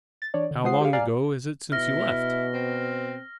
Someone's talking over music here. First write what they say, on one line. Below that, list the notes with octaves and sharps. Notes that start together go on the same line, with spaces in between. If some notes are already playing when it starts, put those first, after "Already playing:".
'How long ago is it since you left?'
A6
E3 D4 C#5 D5
D3
G#3 F4 C5 F#5 D#6 C7
G4 G#4 F5
D5 F5 G#5 A#5 F6 C7
B2 E4 F6 A#6
C4